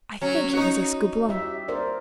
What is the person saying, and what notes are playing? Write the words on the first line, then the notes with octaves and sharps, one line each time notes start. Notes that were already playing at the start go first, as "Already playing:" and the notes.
I think it was Escoublon.
F#3 C#4
D#4 F#4
G4 E5
A#4 C5 D5